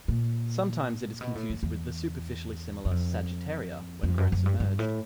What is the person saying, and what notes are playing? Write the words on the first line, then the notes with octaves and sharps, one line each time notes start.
Sometimes it is confused with the superficially similar "Sagittaria" when grown submerged.
A#2
B2
A2
E2
E2
F#2
F2
F2
F#2
F#2
G2
G2
A2